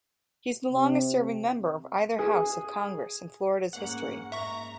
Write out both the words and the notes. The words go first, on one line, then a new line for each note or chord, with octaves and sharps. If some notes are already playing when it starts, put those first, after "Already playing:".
He is the longest-serving member of either house of Congress in Florida's history.
C3
G#4
G#2 A#3 C#4 F#5
G#2 E5 A#5 C#6